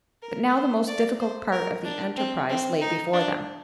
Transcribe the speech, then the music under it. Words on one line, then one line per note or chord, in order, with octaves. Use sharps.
But now the most difficult part of the enterprise lay before them.
A#4
C5
D5
C5
A#4
D4
C4
C4
D#4
D4